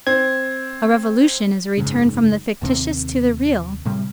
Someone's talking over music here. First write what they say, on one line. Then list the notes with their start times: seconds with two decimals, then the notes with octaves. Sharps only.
A revolution is a return from the fictitious to the real.
0.07 C4 G#6
1.77 F#1 G#2 C#3
2.62 D#2 C3 A#3 C4
3.85 A2 C3 G3